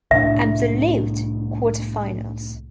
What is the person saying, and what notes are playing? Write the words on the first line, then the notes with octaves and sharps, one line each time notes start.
Absolute: Quarter finals.
C2 A2 D4 E5